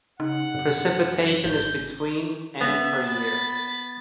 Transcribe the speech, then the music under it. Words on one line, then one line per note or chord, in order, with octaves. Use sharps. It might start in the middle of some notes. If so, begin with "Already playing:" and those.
Precipitation is between and per year.
C#3 D#4 F#5
F#2 C3
G#1 G6
B3 E5
B5 A6